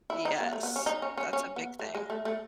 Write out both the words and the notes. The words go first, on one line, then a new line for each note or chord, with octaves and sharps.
Yes. That's a big thing.
E4
D#4
B3
A3
B3
C#4
D#4
C#4
C#4
C#4
B3
A3
G#3
A3
A3